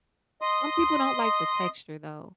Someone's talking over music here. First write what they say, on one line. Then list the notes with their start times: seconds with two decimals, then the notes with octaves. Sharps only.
some people don't like the texture though,
0.41 D#5 C6 D#6